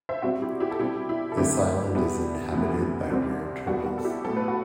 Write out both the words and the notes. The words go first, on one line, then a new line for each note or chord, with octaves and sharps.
This island is inhabited by rare turtles.
C5 E5
B2 G3 C4 F#4
E4 G4
E4 G4
A4
B2 G3 C4 E4 G4
E4
A4
D2 D3 A3 C4 E4 G4
B2 G3 B3
D2 C3 E3 B3
C2 C3 G3 C4
C2 B2 G3 B3 F#4
F#4
A4
E4 G4
A2 F#3 B3 A4
B4
F#4